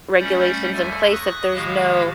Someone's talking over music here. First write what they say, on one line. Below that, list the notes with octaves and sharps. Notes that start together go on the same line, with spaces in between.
regulations in place if there's no,
G3 A3 C#4 D5 F#5 G6
D#2 A4 E5 G#5
C#6 D#6 F#6 A#6
A2 D#3 G#3 F#4 G4 F5